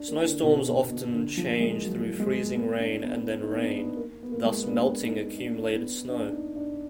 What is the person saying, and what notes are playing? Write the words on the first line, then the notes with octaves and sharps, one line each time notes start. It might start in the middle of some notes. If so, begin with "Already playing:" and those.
Snowstorms often change through freezing rain and then rain, thus melting accumulated snow.
Already playing: D4
A#3
D3
B2
B2
B2
D3
F3
A#3
G#3
F#3
G#3
B3
D4
B3
D#4
B3
D4
B3
A#3
B3
A#3
G#3
A#3
B3
D4
D#4
D4
B3
D4
D#4
D4